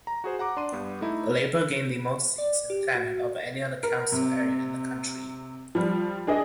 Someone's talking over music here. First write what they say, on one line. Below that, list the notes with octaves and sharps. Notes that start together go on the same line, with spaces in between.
Labour gained the most seats in Thanet over any council area in the country.
A#5
F#4 G#4 C5
F#5 A#5 D6
D4 C6 D#7
G2 B3
A3 D#4 E4
D5
G4
F#4
A#4
C3
F3 G3
D4 G#4 D5 D#5